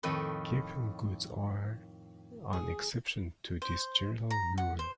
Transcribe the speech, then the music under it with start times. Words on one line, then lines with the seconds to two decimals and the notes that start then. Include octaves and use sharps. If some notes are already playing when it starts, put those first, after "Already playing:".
Giffen goods are an exception to this general rule.
0.03 F2 A2 D#3 B4 C#5
2.53 G#4
3.62 C5
4.30 A#5
4.58 F#5
4.79 C5